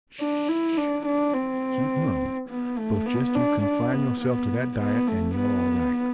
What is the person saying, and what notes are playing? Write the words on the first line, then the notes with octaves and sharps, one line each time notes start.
Sh!--keep mum, but just you confine yourself to that diet and you're all right.
D4
E4
D4
D4
C4
B3
A3
B3
D4
D4
B3
B3
B3
A3
B3